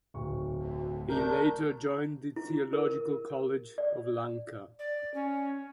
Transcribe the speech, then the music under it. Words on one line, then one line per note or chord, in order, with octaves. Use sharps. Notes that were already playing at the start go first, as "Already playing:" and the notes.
He later joined the Theological College of Lanka.
D1 B1 C#6
D2
A3 D4 A#4 G6
E4
A#4
D5
D5
C#4